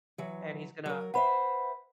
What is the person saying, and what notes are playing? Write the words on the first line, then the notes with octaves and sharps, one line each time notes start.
and he's gonna
E3 F#3
F#3 A#4
B4 C5 E5 F#5 B5